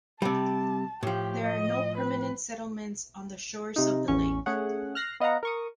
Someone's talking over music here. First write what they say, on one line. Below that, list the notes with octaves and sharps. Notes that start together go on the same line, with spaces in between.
There are no permanent settlements on the shores of the lake.
C3 G3 A5
A2 F3 G4
D#5
B4
C3 D#4
A1 E2 C#4 C#6
A3 C#4 G#4 C#5 F#5
F6 F#6 A#6 C7
B3 D#5 F5 F#5 A#5
A#4 C#6 D#6